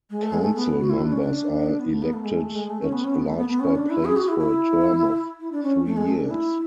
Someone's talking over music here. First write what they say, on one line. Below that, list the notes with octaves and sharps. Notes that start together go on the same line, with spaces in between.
Council members are elected at-large-by-place for a term of three years.
G#3
A3
G#3
A3
B3
F#4
E4
D4
C#4
D4
D4
B3
A3
B3
A3
G#3
A3
G#3
A3
C#4
B3
C#4
B3
A3
B3
B3
C#4
D4
E4
G#4
F#4
E4
E4
E4
D4
C#4
A3
G#3
A3
D4
E4